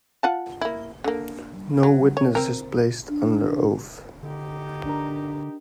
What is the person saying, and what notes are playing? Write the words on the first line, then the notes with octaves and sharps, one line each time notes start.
No witness is placed under oath.
F4 F#5 A5
A#3 E4
D3 A#3
F#3
C#5
C4 A#4
D4
D3 D#4 G4
D4 A#4